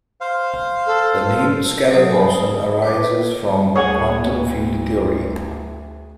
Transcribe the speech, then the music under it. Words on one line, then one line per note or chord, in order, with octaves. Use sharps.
The name "scalar boson" arises from quantum field theory.
C5 F5
A4
F#3 A4 C5 D#6
G#5 A5 B5
D#6
B4 D6
D2 G#4 C#5 F#5